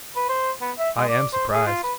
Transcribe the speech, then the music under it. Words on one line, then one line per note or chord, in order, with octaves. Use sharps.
I am surprised.
B4
C5
B3
E5
G#3
D5
C5
G#4
F4
B4